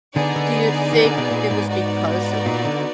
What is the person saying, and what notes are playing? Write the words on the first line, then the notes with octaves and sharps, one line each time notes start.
Do you think it was because of
D3 B3 D#4 G#4 D5
D3
D#3
D3
B2
A#2
G#2
B3 D#4 F#4 D5
A#2
D3